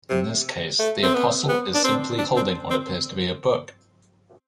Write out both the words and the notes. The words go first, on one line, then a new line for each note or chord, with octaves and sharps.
In this case the apostle is simply holding what appears to be a book.
C3
A3
C4
B3
B3
D4
C4
D4
C4
C4